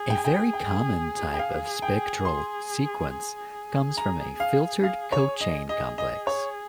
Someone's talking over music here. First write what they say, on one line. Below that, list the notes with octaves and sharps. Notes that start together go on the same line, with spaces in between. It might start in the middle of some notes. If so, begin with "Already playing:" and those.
A very common type of spectral sequence comes from a filtered cochain complex.
Already playing: G#4
G5
G#5
G5
G5
G5
F5
G5
C6
G#4
A#5
F5
F5
C#5
D#5
G#4 D#5
D#5
C#5